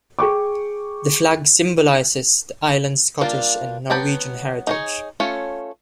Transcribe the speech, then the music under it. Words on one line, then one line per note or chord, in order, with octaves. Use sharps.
The flag symbolises the islands' Scottish and Norwegian heritage.
G#4 G5 C#6 D6
G3 A#3 D4 F4
F#3 B3 G5 A5 B5
D#4 G#4 C#5
A3 C#4 F4 C#5